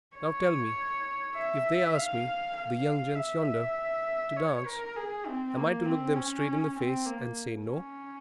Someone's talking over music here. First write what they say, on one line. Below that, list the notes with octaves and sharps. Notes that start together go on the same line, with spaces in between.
"Now tell me, if they ask me, the young gents yonder, to dance, am I to look them straight in the face and say no?"
C#5
E5
F5
F5
E5
C#5
A#4
G#4
C4
A#3
C4
C#4
C4
A#3
C#4